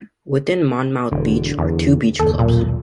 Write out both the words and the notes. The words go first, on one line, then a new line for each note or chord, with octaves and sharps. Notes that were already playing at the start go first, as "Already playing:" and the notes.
Within Monmouth Beach are two beach clubs.
E1 D3
E2
F#1 D#2 A4
D#1 B1 A#2